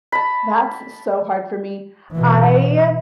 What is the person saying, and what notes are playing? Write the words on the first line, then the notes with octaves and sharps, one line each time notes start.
That's so hard for me. I
A5 B5
B2 E3